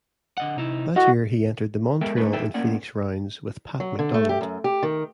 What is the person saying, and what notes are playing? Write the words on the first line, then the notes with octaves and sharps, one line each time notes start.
That year he entered the Montreal and Phoenix rounds with Pat MacDonald.
D3 D#5 F#5
C3 D#4 E4
E4 F#4 A4 D#5
G#3 B3 A4 A#4 E5 G5
D3 G#3 A3 B4
D#4 G#4 A4 E5 G5
A2 A#3 C#4 D5 F#5
F#3
D3
A3
G4
F#2
G4
D#3